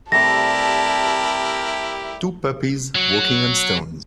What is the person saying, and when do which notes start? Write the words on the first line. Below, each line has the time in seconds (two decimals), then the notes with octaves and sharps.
Two puppies walking on stones.
0.12 C3 G3 A3 E4 G4 A#4 A5 A#6
2.95 F#3